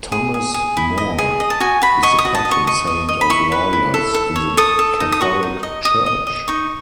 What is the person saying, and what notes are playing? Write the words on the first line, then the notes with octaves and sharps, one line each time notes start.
Thomas More is the patron saint of lawyers in the Catholic Church.
G#4
G#4
G#4
E4
D#5
G#4
D#5
A5
F#4 G#5
F#4 B5
D#5 C#6
D#6
F#4
A5
D#5
C#6
D#5 C#6
D#5
D#5
B5
E4 C#6
B4
E4
A4
A4
C#5
A4 D#6
A4
D#4
D#6
F#4 C#6
D#4
D#5
D#5 D#6
D#5
D#5
D#4 C#6